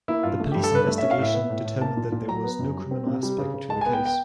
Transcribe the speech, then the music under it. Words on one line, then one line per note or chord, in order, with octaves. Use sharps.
The police investigation determined that there was no criminal aspect to the case.
A#3 E4
G2 F4
A3
G2 G4
A4
G2 B4
A3
C#4 E5
F5
A2 E5
B3
A2
A2
A#3 A5
A#2
A#2
F#3 A#5
B3
F#2
G3
C4
C3
G3
C#3
C#3
G#3 A5
B3 G#5
G5
G5